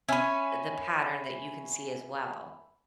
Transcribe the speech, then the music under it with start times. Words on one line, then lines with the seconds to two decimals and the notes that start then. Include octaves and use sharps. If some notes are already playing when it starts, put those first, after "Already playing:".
the pattern that you can see as well,
0.09 C#4 C#5 E5 G#5 B5